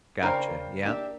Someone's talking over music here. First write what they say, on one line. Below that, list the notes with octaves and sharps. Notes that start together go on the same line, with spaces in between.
Gotcha. Yep.
C#3 A#3 D4 A#4 C5 G5
A#3 D4 G4 E5